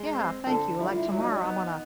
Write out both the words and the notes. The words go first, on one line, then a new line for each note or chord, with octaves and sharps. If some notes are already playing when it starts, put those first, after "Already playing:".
Yeah, thank you, like tomorrow, I'm gonna
Already playing: G#3
C4
D3 A4
G3 E4
F4
E4
F#3 E4
D#4
D4
D#4
B3